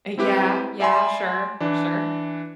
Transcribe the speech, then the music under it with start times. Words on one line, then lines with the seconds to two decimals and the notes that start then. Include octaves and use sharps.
Eh, yeah, yeah. Sure, sure.
0.18 C4 E4 G4 B4
0.80 D5 E5 G#5 B5 C6
1.61 E3 D4